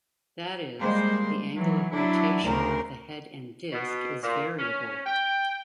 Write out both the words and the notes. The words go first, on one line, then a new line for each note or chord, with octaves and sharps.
That is, the angle of rotation of the head and disk is variable.
G3 G#3 A#3 C5
E3 F#3
F#3 D4 E4
D2 C#3 A#4 C5
B2
A#2
C#4
G5